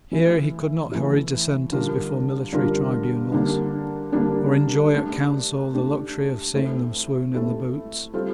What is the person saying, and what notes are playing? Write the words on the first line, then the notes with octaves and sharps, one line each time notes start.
Here he could not hurry Dissenters before military tribunals, or enjoy at Council the luxury of seeing them swoon in the boots.
E3 A3 E4
E3 A3 E4
D3 G3 D4 F4 A#4
D3 G3 D4 F4 A#4
D3 G3 A#3 D4
D3 G3 A#3 D4
A3 D4 G4
A3 D4 G4
A3 C4 E4 A4
A3 C4 E4 A4
G3 C4 F4 A4